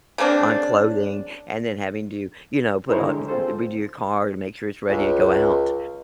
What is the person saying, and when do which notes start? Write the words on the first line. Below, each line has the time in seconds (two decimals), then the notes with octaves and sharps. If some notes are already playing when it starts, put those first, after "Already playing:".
on clothing and then having to, you know, put up, eh eh redo your car to make sure it's ready to go out,
0.18 C#3 A#3 C4 D4
2.89 D#4 E4 G#4 A#4 C5 C#5
3.01 D3 G#3 G4
3.29 C4 F4 G#4 A4 C5
4.88 C#2